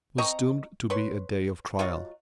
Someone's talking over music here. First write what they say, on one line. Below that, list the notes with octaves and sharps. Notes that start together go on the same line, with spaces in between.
It was doomed to be a day of trial.
C4 D#5 A#5 C#6
B4 C#5 C6
F#3 F4 C#5 D#5